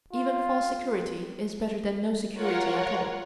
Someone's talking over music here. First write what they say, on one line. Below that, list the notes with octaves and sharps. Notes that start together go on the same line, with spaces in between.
Even false security is better than no security at all.
F4
F4 A#4 C#5 F#5